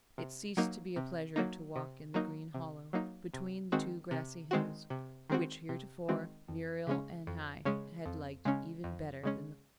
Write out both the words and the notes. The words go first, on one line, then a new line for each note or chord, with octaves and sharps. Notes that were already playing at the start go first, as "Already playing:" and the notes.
It ceased to be a pleasure to walk in the green hollow, between the two grassy hills, which heretofore Muriel and I had liked even better than the Flat.
C3
F#3 A#3 D#4
C3
F#3 A#3 D#4
C3
F#3 A#3 D#4
C3
F#3 A#3 D#4
C3
D#3 G#3 C4 F#4
C3
D#3 G#3 C4 F#4
C3
D#3 G#3 C4 F#4
C3
D#3 G#3 C4 F#4
F2
C#3 G#3 C#4
F2
C#3 G#3 C#4
F2
C#3 G#3 C#4
F2
C#3 G#3 C#4